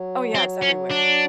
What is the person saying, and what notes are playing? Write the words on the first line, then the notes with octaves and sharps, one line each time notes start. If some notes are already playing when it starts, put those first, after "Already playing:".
Oh, yeah, it's everywhere.
Already playing: F#3
C4
C#4
D4